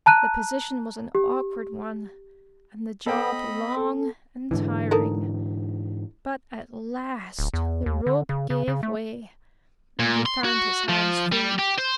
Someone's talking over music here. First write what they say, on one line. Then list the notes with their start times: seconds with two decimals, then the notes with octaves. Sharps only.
The position was an awkward one and the job long and tiring, but at last the rope gave way and he found his hands free.
0.06 A5 A#5 F#6 D#7
1.15 G4
3.06 B3 A4 C5 D#5 G5 B5
3.77 A4
4.51 G#2 D3 E3
4.91 D#4 A4 A#4
7.39 D1
7.54 E2
7.86 D#2
8.06 D3
8.29 C#3
8.50 C#3
8.68 C#3
8.83 A3
9.99 A#2
10.26 C6
10.45 F#4
10.89 F3
11.32 G3
11.59 G4
11.78 C5